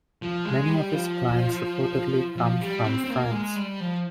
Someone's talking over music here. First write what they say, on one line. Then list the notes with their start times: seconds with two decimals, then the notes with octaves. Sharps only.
Many of its clients reportedly come from France.
0.22 F3
0.45 G#3
0.69 G3
0.93 F3
2.37 F3
2.61 G3
2.84 C4
3.04 C4
3.09 A#3
3.31 G#3
3.56 G3
3.80 F3